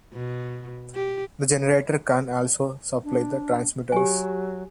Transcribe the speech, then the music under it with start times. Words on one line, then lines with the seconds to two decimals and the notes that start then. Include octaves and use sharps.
The generator can also supply the transmitters.
0.13 B2
0.95 G4
3.04 D4
3.92 F#3 G4 G#5